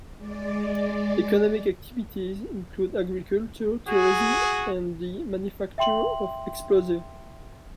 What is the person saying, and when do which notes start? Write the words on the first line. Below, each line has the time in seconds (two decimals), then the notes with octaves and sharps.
Economic activities include agriculture, tourism and the manufacture of explosives.
0.17 G#3 D5
3.86 F#4 G#4
5.78 E5 G5 C6 F#7